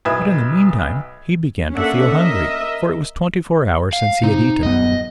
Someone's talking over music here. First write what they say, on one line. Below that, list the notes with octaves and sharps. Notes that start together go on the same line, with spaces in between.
But in the meantime, he began to feel hungry, for it was twenty-four hours since he had eaten.
B1 B4 E5 D#6 G#6 E7
A#3 C#4 D4 A4 E5 F#5
A#4 D#5 E5
F5
C3 D#4
D#1 F#2 B3 D#5